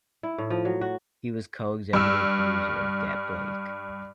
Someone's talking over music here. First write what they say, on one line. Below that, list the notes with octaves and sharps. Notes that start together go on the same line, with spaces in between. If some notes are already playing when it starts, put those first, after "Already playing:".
He was co-executive producer of "Get Blake!".
E4
A2
F3
F#3
F#4
G2 E6